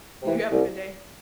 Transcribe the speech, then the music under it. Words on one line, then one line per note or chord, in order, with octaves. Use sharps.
You have a good day.
C3 E3
C2